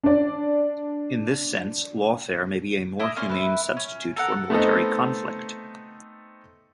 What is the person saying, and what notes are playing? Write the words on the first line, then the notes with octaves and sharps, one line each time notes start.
In this sense lawfare may be a more humane substitute for military conflict.
D4 D5
D4 E4 D#5 D6
A#3 C#4 C5 D5
E4 B4
C#4
A4 A#4 F#5
A3 B3 C4 D#4 A4